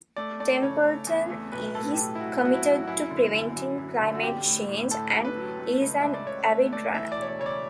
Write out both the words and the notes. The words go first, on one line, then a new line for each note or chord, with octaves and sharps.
Templeton is committed to preventing climate change, and is an avid runner.
A3 D5
A3 D5
C#3 C#5
A3
E2
A3
B1 B4
A2 A4
G4
B1 A4
E4
B1 F#4
F#3 F#4
E4
F#3
F#4
F#2 E4
D3
D3
F#2
F#2
D3
F#4
A1 G4
A2
A2
A2 A4
A1
B4
F#3
A3
C#2
C#2 E5
D5
C#2 C#5
A3
A3 D5
E3 E5
D5
E1
C#5
D5
C#3 C#5
D5